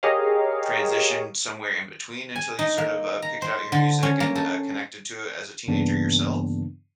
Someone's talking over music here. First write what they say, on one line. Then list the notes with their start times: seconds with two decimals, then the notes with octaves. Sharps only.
transitioned somewhere in between until you sort of, uh, picked out your music and, uh, connected to it as a teenager yourself?
0.03 G4 G#4 A#4 C#5 D#5 F5
2.36 G#5
2.59 D#4
2.78 A#3
3.22 A#5
3.42 C5
3.72 D3
4.03 C#4
4.20 A#3
4.35 A4
5.68 G2 C#3 E3 A#3 B3 D4